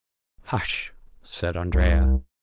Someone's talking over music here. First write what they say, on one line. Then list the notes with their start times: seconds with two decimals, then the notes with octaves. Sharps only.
"Hush," said Andrea.
1.73 C2